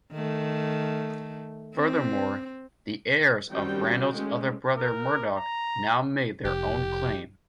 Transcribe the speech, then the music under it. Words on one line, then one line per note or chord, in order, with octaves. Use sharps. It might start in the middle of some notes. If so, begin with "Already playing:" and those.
Furthermore, the heirs of Ranald's other brother Murdoch now made their own claim.
D#3 A3
C4
D#3 G3 C4 C#4 F#4 G5
G#3 A3 C#4
A#4
A#5
F1 G4